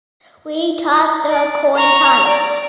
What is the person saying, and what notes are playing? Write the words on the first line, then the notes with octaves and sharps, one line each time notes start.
We toss the coin times.
D5
A#5 C#6
D5